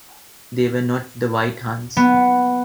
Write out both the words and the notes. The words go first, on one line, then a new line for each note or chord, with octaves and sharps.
They were not the White Huns.
B3